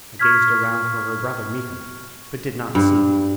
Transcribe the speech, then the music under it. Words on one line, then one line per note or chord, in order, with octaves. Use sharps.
I gazed around for her brother Miko, but did not see him.
C#6 F6 G#6 B6
G2